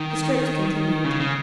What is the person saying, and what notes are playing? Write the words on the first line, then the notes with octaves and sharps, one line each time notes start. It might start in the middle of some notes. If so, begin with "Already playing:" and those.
The strokes continued.
Already playing: D#3
C#3
C#3